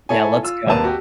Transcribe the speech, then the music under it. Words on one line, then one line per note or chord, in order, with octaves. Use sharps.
Yeah, let's go.
E4 A4 C#5 G#5
F4 E6
D#1 G#1 A#3 B4 A5 D#7
F#4 G4